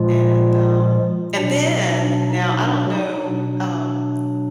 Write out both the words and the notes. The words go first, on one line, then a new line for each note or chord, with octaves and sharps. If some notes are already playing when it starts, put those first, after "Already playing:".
and, um and then now I don't know, um,
Already playing: A#2 F3 G#3 F4
B2 F#3 D4
D#4
D4
D#4
D4
D#4
B2 F#3 D4